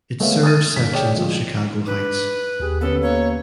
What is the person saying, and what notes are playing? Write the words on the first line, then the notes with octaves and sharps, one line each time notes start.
It serves sections of Chicago Heights.
G#3 A3 B3 C#5 E5 F5
D#6 F6 A6 D#7
G1 B6
G#4 C#5 D5 G5
F3 G#3
D4 B4
D#2 G4 G#4 F#6
D3 B3 C#4 A4 B4
A#3 C#5